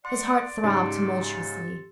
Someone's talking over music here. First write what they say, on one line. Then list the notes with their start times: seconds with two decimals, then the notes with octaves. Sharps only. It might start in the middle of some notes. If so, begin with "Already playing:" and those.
His heart throbbed tumultuously.
0.05 D5 F#5 C6
0.64 G#2 C#3 G4 A4 C6